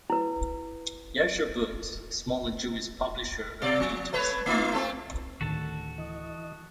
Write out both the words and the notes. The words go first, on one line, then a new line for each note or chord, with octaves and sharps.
Yashar Books, a smaller Jewish publisher, agreed to distribute them.
E4 B4
B2 D5
F3
A3 B4 C#5
A3 D#4 F4
A3 C4 A4
D1 A2 D3 D#3 D4 F#4 A4 A5
E3 D#5